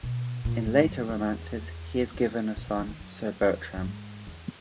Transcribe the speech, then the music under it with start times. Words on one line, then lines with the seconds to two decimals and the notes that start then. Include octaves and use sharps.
In later romances he is given a son, Sir Bertram.
0.03 B2
0.45 A#2
0.66 G#2
0.87 F#2
1.09 E2
2.14 E2
2.57 A#2
2.68 C#3
2.78 E3
2.88 D#3
2.99 F#2
3.42 E2
3.77 F#2
3.84 G#2
4.27 E2